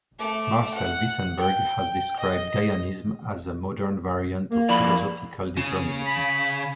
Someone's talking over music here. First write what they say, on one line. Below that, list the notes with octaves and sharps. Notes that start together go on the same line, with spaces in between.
Marcel Wissenburg has described Gaianism as a "modern variant of philosophical determinism".
A3 D6
F#5
G5
D#5
A#3
F3 E4 D5 B5
C#3
B5